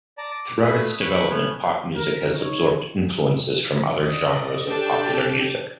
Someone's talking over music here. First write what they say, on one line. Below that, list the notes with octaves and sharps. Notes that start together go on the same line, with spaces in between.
Throughout its development, pop music has absorbed influences from other genres of popular music.
D5 A5 A#5
D6
A3 B4 E5 D#6
B5 C#6 F#6 G6
A3 B3 G#5 F6 F#6
A#4
D#4 C#5
D5 D#5
D4 G4 A4 G5 A5